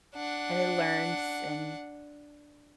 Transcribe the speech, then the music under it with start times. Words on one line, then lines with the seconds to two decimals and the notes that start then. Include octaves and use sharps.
And it learns and,
0.15 D4 F#5